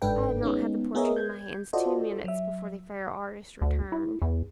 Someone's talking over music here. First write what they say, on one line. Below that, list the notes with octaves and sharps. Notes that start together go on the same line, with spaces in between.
I had not had the portrait in my hands two minutes before the fair artist returned.
G1 G#2 D4 A4 B4 G5
G#3 B3 C#4 D#4
B3 G#4 A#4 C#5 D#5 E5
G6 G#6
F4 F#4 A4 C5 D5 D#5
F#3 E5
D2
E4
E2